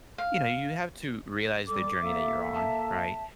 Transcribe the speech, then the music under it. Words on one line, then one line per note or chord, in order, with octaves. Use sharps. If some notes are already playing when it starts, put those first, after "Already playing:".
you know, you have to realize the journey that you're on, right?
F5
G3 A4 D6
A#3 A4 E5
A5